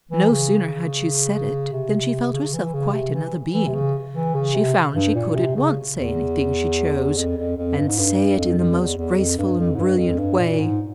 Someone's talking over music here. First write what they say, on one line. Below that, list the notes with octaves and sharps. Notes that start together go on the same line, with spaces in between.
No sooner had she said it than she felt herself quite another being. She found she could at once say anything she chose, and say it in the most graceful and brilliant way.
E3
C#3
C3
C#3
C#3
E3
C#3
C3
E3
E3
C3
C#3
E3
C#3
C3
G2
A#2
C3
C#3
E2
F2
F2
F2
G2
G#2
G2
F2
F2
E2
E2
F2
G2
F2
G#2
G2
F2
G2
A#2
G#2